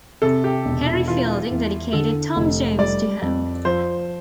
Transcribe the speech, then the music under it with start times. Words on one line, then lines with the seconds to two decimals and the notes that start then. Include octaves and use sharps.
Henry Fielding dedicated "Tom Jones" to him.
0.22 C3 A4
0.44 G4
0.65 E1
0.86 E4
1.08 E3 F4
1.51 E2
1.93 D3 A4
2.36 F1
2.79 G3 D5
3.22 F2
3.65 F3 C5